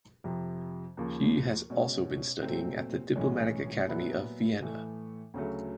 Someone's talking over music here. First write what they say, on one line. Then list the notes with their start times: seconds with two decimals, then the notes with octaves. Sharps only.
She has been also studying at the Diplomatic Academy of Vienna.
0.24 F2 C3 F3
0.97 D#2 C#3 F3 A#3
1.70 B2 G#3 C#4
2.43 A#2 F#3 A3 C4
3.16 B1 A2 E3 G#3 C#4
3.88 A#2 F#3 B3 E4
4.61 A2 E3 A3
5.34 D2 C#3 F#3 A3